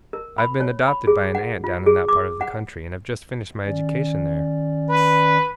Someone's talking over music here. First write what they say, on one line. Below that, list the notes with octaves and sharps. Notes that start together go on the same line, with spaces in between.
I have been adopted by an aunt down in that part of the country, and have just finished my education there.
A#4
B5
C#5
B5
G#4
F#5
F4
G#4
D6
F#5
D#3 C#4 D5
B4